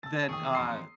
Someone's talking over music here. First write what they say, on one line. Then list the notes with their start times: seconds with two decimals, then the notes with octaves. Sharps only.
that, uh,
0.03 A5 E6 A6
0.29 E1 D#3 G#4 G5 C#6 D#6
0.55 F2 A#5 C6 D#6 C7